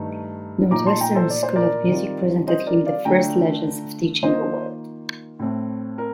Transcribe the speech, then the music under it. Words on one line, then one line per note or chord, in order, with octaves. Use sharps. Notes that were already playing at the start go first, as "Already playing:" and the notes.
Northwestern's School of Music presented him the first Legends of Teaching award.
Already playing: G2 D#3 A3 D#4
A#2 F3 A3 D#4 A#5 D6
A5 C6
G5 A#5
A4 C5
D5
C5
A#4 D5
D#3 G3 C4 F4
C5 D#5
A#4 D5
D5 F5
D3 A3 D4 F4 G5 A#5
D#3 A#3 F4 C5 D#5
A2 A3 C4
A#4